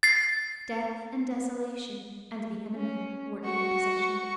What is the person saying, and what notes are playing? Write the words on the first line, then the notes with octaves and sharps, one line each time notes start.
Death and desolation and the enemy were in possession.
A6 C7
C#4
F#4 C#6